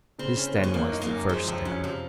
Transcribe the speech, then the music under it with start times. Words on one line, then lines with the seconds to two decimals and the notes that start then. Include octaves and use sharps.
This then was the first step.
0.19 C#3 C4
0.37 C#4
0.47 C4
0.56 D#2
0.63 G#3
0.74 F#2 A#3
0.92 D#4
1.02 A#3
1.11 F#2
1.29 F3 G#3
1.47 F2 F3
1.65 F#3 C#4
1.84 C3 F3